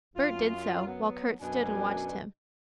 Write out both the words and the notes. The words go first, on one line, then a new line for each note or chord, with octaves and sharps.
Bert did so, while Kurt stood and watched him.
F#2 F4
F#3 B3
F#2 B2 D4 G#5